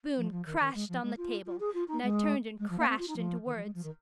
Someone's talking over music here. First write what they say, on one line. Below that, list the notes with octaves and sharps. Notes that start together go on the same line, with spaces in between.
The spoon crashed on the table, and I turned and crashed into words.
F3
F3
D#3
D#3
G#3
F3
G#3
F4
F4
G#4
F4
D#4
G#3
G#3
F3
A#3
C4
F4
D#4
F3
D#3
F3
G#3
F3
D#3